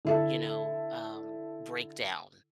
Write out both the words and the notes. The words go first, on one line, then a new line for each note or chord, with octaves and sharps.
you know, um, breakdown,
D3 E4 A4